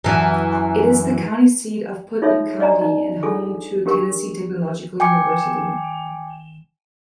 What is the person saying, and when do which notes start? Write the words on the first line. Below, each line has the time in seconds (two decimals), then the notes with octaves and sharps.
It is the county seat of Putnam County and home to Tennessee Technological University.
0.04 F#2 E3
2.22 D#4 F4 G#4 A4 C#5 E5
2.59 D4 D5 D#5 G#5 A#5
2.79 D#4 A#5
3.23 D4 F4 G#4 A4 G#5 D6
3.86 D4 G4 A#4 C#6
5.00 G5 G#5 D6 C#7